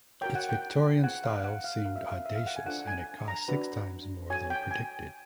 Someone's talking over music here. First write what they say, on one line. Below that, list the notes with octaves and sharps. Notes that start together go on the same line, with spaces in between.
Its Victorian style seemed audacious and it cost six times more than predicted.
F#4 A#4 C#5 G5
F#5
G5
C#4 F4 G#4 C5 F#5
F5
F#5
F5
C#4 F#4 A#4 F5
E5
F5
E5
F5
F#5
G#5
D4 F4 A4 C5 F#5
G#5
A#5
D4 F#4 B4
F#4 A4 C#5 G#5
G5
G#5